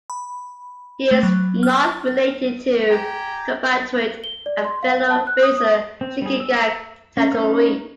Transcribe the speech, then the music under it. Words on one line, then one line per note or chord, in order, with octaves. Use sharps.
He is not related to compatriot and fellow racer Shigeaki Hattori.
B5
A3
F#3
F6
G4 G#5 A#5
G7
D5
C6
F5
A5
F#6
D#6
D#6
C4
G3 G#4
E6
C#4
C#4 D#4 B4 F6